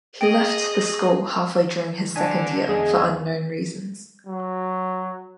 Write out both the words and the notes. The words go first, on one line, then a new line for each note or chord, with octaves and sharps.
He left the school halfway during his second year, for unknown reasons.
G#4 D#5 G5
D3 D4 G#5
E2 G#4 D#5
F#3